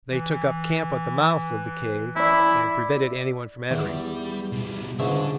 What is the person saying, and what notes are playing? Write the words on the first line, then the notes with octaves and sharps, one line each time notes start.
They took up camp at the mouth of the cave and prevented everyone from entering.
E3
E4 D5 B5
E2 D#3 E4
G3
B2 G3
C#2 G#2 D3 E5